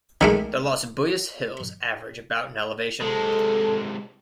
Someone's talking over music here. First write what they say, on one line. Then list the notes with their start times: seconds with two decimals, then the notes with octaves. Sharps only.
The Los Buellis Hills average about in elevation.
0.21 D#3 G#3 A3
3.01 C3 G#3 A4